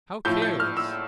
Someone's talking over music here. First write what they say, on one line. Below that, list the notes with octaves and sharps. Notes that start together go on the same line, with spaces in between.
How careless!
A2 F3 A3 G6
G6
F6
E6